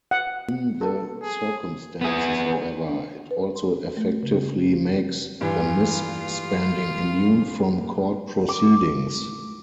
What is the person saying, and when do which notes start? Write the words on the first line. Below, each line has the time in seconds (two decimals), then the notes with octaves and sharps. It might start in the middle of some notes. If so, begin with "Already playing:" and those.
In the circumstances, however, it also effectively makes the misspending immune from court proceedings.
0.11 F#5
0.81 A4
1.23 G#4
2.01 B3 G#4
2.89 D4
3.31 B4
3.56 C6
3.97 A3
4.23 C#3
4.67 C#4
5.41 G2 E3 F4
8.49 D6